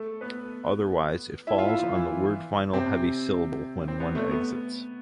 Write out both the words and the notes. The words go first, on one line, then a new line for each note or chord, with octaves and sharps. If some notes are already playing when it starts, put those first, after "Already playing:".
Otherwise, it falls on the word-final heavy syllable when one exists.
Already playing: A3 A4
B3 B4
E4 E5
F4 F5
E4 E5
F3 F4
E3 E4
C3 C4
C4
B3
A3
B3